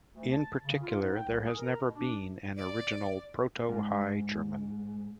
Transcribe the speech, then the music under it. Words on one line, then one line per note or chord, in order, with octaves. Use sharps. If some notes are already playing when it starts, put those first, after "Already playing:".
In particular, there has never been an original "Proto-High German".
D2
A5
C#3
F4
G#2
G5
C2
G#4
A#4
B2
D4
D5
G#2